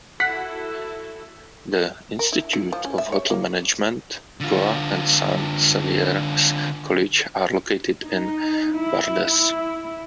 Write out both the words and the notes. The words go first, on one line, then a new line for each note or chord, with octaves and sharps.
The Institute of Hotel Management, Goa and Saint Xavier's College are located in Bardez.
E4 F#4 A4 F#5 B6
A#4
E4
E4
F3
C#4
E5
C#5
A#3
D3 F4
D#4
E4
E4